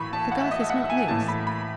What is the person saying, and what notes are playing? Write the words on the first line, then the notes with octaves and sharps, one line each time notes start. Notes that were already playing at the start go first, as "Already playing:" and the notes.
"But the girth is not loose."
Already playing: A2 E3 B5 C#6
A5
F#5
E5
D#5
E5
F#5
G#5
A2 E3 A5
B5
B5